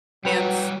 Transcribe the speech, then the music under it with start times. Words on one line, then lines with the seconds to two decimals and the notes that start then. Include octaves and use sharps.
and s
0.25 F#3 G3 F#4 B4 G5